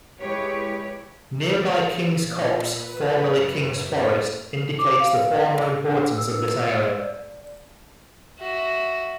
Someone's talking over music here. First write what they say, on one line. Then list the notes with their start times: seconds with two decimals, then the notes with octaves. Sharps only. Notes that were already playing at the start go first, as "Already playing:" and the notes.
Nearby Kings Copse, formerly Kings Forest, indicates the former importance of this area.
0.19 G#3 E4 G4 B4 C#5
2.19 A#2
2.72 B4
3.31 F#2
3.83 B6
4.79 D6
5.00 F5
5.88 D4
6.18 E6
6.99 D5
8.39 F#4 E5